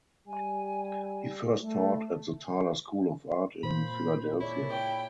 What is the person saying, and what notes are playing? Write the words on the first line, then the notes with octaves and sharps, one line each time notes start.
He first taught at the Tyler School of Art in Philadelphia.
G3 G#5
A3
A#2 A#3 C5 B5
E4 G#4 C#5 D5
G5